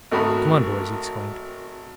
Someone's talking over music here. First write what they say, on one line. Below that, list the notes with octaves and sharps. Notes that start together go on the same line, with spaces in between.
"Come on, boys!" he exclaimed.
G#1 A3 F#4 A#4 B5 D#6